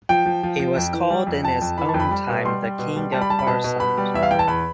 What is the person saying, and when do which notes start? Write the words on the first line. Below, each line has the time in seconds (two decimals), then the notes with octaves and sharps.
He was called in his own time "The King of Farsund".
0.09 F3 G5
0.26 F3
0.43 F3
0.59 F3
0.76 F2
0.93 E3
1.10 G3
1.27 F2
1.44 F2 A5
1.62 F2
1.78 E3 B5
1.89 A5
1.94 F2
2.00 B5
2.11 G3
2.29 B2
2.45 G3 C6
2.62 G3
2.79 B2
2.96 G3
3.12 G3 A5
3.22 B5
3.30 G3 A5
3.39 B5
3.47 B2 A5
3.64 B2
3.80 B2 B5
3.98 G3
4.14 E2 E5
4.23 F5
4.30 E2 G5
4.39 A5
4.47 E2 B5